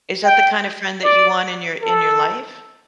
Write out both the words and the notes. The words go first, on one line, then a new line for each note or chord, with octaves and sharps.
Is that the kind of friend that you want in your in your life?
G5
D5
A4